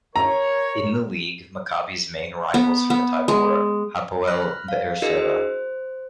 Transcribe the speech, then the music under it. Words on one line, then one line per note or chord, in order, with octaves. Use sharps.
In the league, Maccabi's main rivals for the title were Hapoel Be'er Sheva.
A#4 C#5 A#5
B3
B3
G#3
B5 F6 F#6 A#6
F5
D4 E4 F#4 G#4 A#4 D#5
C5